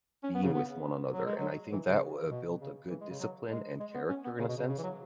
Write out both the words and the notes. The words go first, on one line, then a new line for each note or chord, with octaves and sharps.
being with one another, and I think that woulda built a good discipline and character in a sense.
C#4
B3
C#3
B3
F#3
G#3
F#3
E3
C#3
B2
C#3
E3
G#3
C#3
F#3
G#3
G#3
B3
C#4
B3
C#3
B2
C#3
C#3
E3
F#3